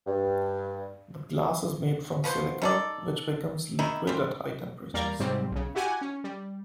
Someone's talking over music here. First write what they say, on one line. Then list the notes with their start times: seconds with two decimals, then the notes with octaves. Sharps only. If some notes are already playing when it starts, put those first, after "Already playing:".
The glass is made from silica, which becomes liquid at high temperatures.
0.06 G2
2.24 F3 B3 F#4 C5
2.62 D#3 A4 D5
3.79 D#3 D#4 E4
4.07 G3 C4
4.94 E2 G3 A#3 D5 F5 A#5
5.20 G#2 C3 F#3 G3 C4
5.51 B1 C#3
5.75 E4 F#4 G4 F#5 G#5
6.01 C#4
6.24 G3